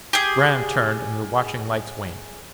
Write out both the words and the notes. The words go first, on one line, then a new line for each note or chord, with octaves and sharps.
Graham turned, and the watching lights waned.
G4 G#4